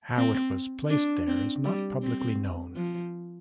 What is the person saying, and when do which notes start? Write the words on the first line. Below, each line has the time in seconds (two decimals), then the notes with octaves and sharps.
How it was placed there is not publicly known.
0.16 C4
0.90 D4
1.27 C4
1.64 G3
2.02 C4
2.76 F3